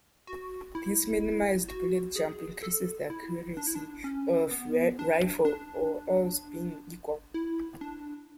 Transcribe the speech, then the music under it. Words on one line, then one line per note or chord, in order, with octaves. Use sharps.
This minimized bullet jump increases the accuracy of the rifle, all else being equal.
F#4
E4
F#4
G#4
A4
E4
D4
E4
D4
C#4
B3
D4
D4
E4
D4